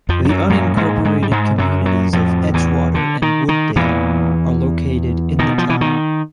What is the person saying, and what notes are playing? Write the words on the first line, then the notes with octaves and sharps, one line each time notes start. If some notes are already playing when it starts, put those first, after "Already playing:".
The unincorporated communities of Edgewater and Wooddale are located in the town.
F2 F3
F3
F#2 F#3
F#2 A#2 F#3
G#2 G#3
G#2 G#3
G3
G#2 G#3
F#2 F#3
F#2 F#3
F2 A2 F3
E2 E3
D3
D#3
D#3
E2 A#2 E3
B2 D#3
F3
E3
D#3